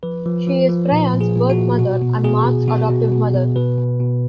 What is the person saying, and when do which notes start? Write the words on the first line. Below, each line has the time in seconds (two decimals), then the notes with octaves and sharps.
She is Bryon's birth mother, and Mark's adoptive mother.
0.03 F3 B4
0.26 F3
0.47 F3
0.69 F3
0.92 A#2
1.14 A#2
1.21 G#4
1.36 A#2
1.50 F#4
1.57 A#2
1.79 B2 F#4
2.02 B2
2.24 B2 G#4
2.45 B2
2.68 B2 F#4
2.90 B2
3.12 B2
3.35 B2
3.56 B2 B4
3.78 B2
4.00 B2